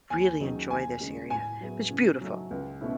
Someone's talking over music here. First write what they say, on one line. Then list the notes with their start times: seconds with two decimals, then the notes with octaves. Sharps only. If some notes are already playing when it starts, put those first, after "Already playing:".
really enjoy this area. It's beautiful.
0.10 D#2 G#5
0.41 D#3 F#3 C#4 G#4
0.71 D#2 G#5
1.01 C#3 G#3
1.30 A2 G#5
1.61 F#3 B3 E4 G#4
1.90 C#3
2.21 F#3 A3 D#4
2.51 C#2
2.81 B2 A3 C#4 E4